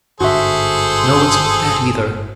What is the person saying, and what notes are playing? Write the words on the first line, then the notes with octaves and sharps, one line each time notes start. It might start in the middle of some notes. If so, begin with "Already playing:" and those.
No, it's not that either.
G1 G#2 D3 F#4 G#4 A4 C5 E5